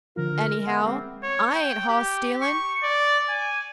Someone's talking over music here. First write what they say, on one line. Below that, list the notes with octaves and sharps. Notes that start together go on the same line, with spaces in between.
Anyhow, I ain't hoss stealin'.
D3 F3 F4 A#4
B3 G#4 E5 F#5
G#3 C4 G#4 D6
C#5
G5
G4
C#6
D5
G#5